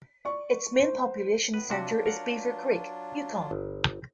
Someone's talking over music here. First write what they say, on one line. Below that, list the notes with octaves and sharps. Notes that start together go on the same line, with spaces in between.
Its main population centre is Beaver Creek, Yukon.
D5 C#6
C5
A2 B3 B4
C3 F#3 D4 F4 F#4
A#4 F#5
G1